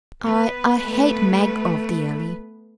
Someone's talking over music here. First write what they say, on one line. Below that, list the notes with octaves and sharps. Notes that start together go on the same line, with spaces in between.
I--I hate Mag of the Alley.
B3 B4
A3